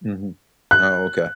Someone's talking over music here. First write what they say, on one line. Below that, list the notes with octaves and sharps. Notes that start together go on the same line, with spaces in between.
Mhm. Oh, okay.
F#6